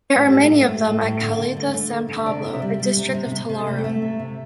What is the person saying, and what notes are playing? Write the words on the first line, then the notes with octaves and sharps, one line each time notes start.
There are many of them at Caleta's San Pablo, a district of Talara.
A2 A4
A2 G4
A4
A3
A3
A2
A2
D3
D3
A3
A3
D3
D3
E5
C3 D5
C3 G5
E5
G3
G3
C3
C3
C3
C3
A4
A3
G5
A3 E5
C3
C3